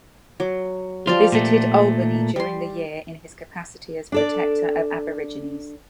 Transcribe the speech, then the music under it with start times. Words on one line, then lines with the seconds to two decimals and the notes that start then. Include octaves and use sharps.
He visited Albany during the year in his capacity as Protector of Aborigines.
0.40 F#3
1.07 F3 G3 F4 D5
1.32 A#2 A3
2.36 G3 C6
4.12 D4 A4 D5